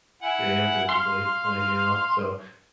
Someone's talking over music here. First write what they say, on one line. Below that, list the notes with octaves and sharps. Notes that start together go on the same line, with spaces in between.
and physically, like, you know, so,
E4 F#5 G#5
F5 C6